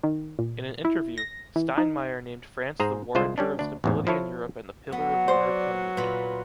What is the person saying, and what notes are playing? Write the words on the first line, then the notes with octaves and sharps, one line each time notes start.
In an interview, Steinmeier named France the warrantor of stability in Europe and the pillar of the European Union.
D#3
A#2
E4
A#6
E3
D#4
G#2 G#4 C5 A#5
C2 G#3 F4 C5
G3 C#4 D4
D2 D4
A1 E2 G#2
F3 E4 A4 C#5
F#3 B3
C5 D5
A#2 F4 B4 B5